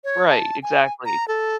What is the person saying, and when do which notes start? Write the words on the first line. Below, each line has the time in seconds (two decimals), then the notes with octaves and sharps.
right, exactly.
0.04 C#5
0.29 A5
0.63 G#5
1.05 A#5
1.28 A4